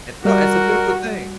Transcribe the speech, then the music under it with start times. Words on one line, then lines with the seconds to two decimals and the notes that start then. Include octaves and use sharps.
Eh, no, it's a beautiful thing,
0.25 G3 F#4 A#4 D5